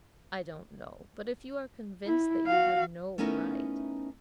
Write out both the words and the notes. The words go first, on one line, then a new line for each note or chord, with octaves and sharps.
"I don't know; but if you are convinced that you have no right..."
E4
F#4 F5
A3 B3 C#4 D#4 E4 A#4